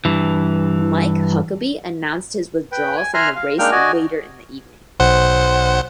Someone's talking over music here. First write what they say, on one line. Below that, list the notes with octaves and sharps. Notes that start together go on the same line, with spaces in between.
Mike Huckabee announced his withdrawal from the race later in the evening.
G2 E3
B4 G5
G#5
E5 G#5 A#5 C6 F6 F#6
F5
G#3 A#3 D4 D#4 G5 F6
F#4 D5 D#5 G#5
B1 C5 F#5